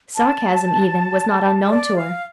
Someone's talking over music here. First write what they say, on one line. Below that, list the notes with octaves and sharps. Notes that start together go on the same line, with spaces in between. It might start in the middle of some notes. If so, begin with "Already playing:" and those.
Sarcasm, even, was not unknown to her.
A5
D5
F5